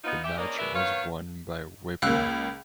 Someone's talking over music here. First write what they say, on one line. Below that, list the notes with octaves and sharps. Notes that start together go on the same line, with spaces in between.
The match was won by Whipwreck.
B3 D#4 F4
C#4 G4 E5
E2 A#3 C#4 D4 A#4 D#5
B2 G#3 A#4 B4 D5 E5
D#3 B3 B4 C#5 F5
C#2 A#3 F5 E6 F#6